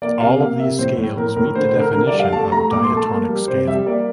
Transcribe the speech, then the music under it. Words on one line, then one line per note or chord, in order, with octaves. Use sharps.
All these scales meet the definition of diatonic scale.
A#3 D5
C3 F5
A#3 F5
C3 E5
A2 C5
A2
A2 A#4
A2 A#4
D3 C5
C5
D3
A#4
D3 A#4
D5
G3
F5
A3 A5
A3 A#5
A#2 D6
C6
A3
A5
A#3
G3
C3 C5
G3 E5
A#3 D5